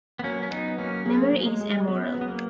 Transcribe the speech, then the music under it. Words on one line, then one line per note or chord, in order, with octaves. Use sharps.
Memory is amoral.
B3
F#3 A#3 C#4
C#4
F#3 B3 D#4
F#3 A#3 C#4
A#3 G#4
F#3
G#3
G#4
B3 C#4
F#3
B3
A#3